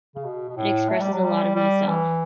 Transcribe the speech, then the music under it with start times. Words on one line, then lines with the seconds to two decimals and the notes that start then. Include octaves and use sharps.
It expresses a lot of myself.
0.15 C#3
0.25 B2
0.48 B2
0.57 A2
0.89 A3
1.01 G3
1.13 F#3
1.24 G3
1.55 G3
1.88 E3